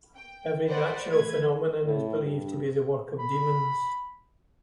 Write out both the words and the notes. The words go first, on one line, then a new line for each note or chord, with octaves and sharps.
Every natural phenomenon is believed to be the work of demons.
G5
B4 C5 D5 D#5 F#5
E3 A3 B4 G#6
A2
G2
B5